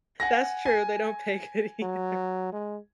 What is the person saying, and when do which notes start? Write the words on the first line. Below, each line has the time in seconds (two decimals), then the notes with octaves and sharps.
That's true. They don't pay good either.
0.20 F#5 G#5 A#6
0.65 G#5
1.82 F#3
2.53 G#3